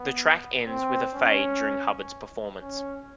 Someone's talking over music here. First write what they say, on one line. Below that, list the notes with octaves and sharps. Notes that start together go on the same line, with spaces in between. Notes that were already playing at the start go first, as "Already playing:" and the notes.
The track ends with a fade during Hubbard's performance.
Already playing: B3
C4
C#4
C#4